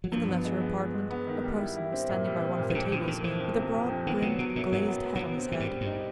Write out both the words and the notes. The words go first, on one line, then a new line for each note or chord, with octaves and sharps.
In the latter apartment a person was standing by one of the tables with a broad-brimmed glazed hat on his head.
F#3
G2 F3
B3
G#3
B3
B3
G#3
B3
D#3
G3
E4
E4
C4
A#2
G3
C4
A#2
C3
F2 C#3
F2 D3
F2 D#3
E3 F3
F2
C3
F2
F2
D#3 B3
C3 F#3
B2 F#3
F#2 A#2
G#2 F#3
B3
B3
A#2
B3
C4
A2 G3
G#2
C4
G2
D#4